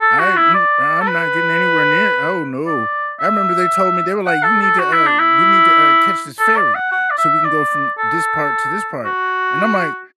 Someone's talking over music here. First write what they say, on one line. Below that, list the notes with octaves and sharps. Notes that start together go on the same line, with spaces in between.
I m I'm not getting anywhere near oh, no, I 'member they told me they were like, "You need to, uh we need to, uh, catch this ferry, so we can go from this part to this part," and I'm like,
A4
F#4
E4
D5
A4
B4
D5
E5
F#5
A4
A4
F#4
E4
D4
E4
A4
D5
F#5
F#5
D5
E5
D5
A4
F#4